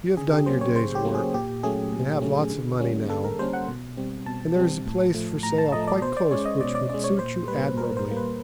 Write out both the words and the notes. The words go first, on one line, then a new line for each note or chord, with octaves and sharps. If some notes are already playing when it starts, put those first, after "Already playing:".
You have done your day's work, and have lots of money now, and there is a place for sale quite close which would suit you admirably.
C#3 G#4
G4
F#3 A#3 C#4 C5
C#5
C#3 C5
G4
F#3 A#3 C#4
G#4
A#2 G4
F#3 A3 C#4 G#4
A#2
F#3 A3 C#4
D3
G3 A#3 C#4
D3 A4
A#4
G3 A#3 C#4 C5
F#5
B2
G3 C4
B2 A5
G3 C4
A2
F3 A3
A2 A#5
A5
F3 A3 D#5
D5
B2 C5
D5
G#3 C#4 C#5
D#5
B2 D5
D5
G#3 C#4 D5
C#5
A#2 C5
G3 A#3 B4
A#2 A#4
C5
G3 A#3
B4